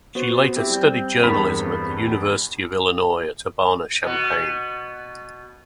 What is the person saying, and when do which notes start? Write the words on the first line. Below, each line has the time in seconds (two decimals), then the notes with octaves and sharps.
She later studied journalism at the University of Illinois at Urbana–Champaign.
0.15 B3 F#4 C5
0.56 C4 E4 G4
0.70 G3 G6
1.24 E2 G2 A#4 B5
4.03 B2 B3